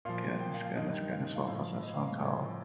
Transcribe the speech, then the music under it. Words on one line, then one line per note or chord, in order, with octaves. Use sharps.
Goodness, goodness, goodness. What was that song called?
A#2 F3 F5
G5
F5
F5
G2 D#3 D#5
G5
F5
D#5
F5
A2 F3 F5
D#5
F5
F5
A2 F3 G5